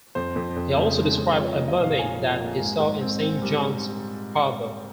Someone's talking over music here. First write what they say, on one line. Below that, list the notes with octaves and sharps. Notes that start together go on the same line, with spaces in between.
He also described a mermaid that he saw in Saint John's harbour.
F2 C5
F2
F2
C#3
G#3
F2
F3 C#5
D#5
A#3
D#5
A#1
F5
A#3 G#5
F3
A#3
G#2
G#2
C4
C4
G3